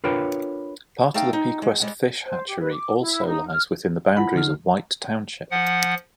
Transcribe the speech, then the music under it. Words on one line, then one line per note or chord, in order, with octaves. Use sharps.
Part of the Pequest Fish Hatchery also lies within the boundaries of White Township.
D4 F4 A#4 B4 C#5 G5
A3 D#4 F5 G5
D#4
G#3
G3 G#3 F#5
C5
G4
B4
D6
E4
D#4
F6
E4 F4 F#5 B5
D3 D#4 F6
F3 F#5